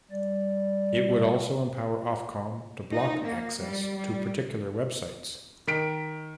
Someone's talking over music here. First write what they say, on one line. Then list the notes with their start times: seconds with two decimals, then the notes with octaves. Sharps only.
It would also empower Ofcom to block access to particular websites.
0.11 G3 D5
2.92 D#4
3.26 A#3
3.64 G3
3.97 G3
5.67 D#3 B6 D7